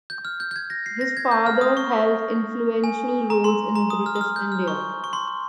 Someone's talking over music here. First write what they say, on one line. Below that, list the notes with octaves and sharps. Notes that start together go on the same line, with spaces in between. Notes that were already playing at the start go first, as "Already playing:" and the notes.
His father held influential roles in British India.
G6
F6
G6
G6
G#6
A#6
C7
A#6
G#6
G6
F6
D#6
C#6
G#5
A#5
C6
A#5
D#6
F6
D#6
F6
G6
F6
C#6
C#6
C6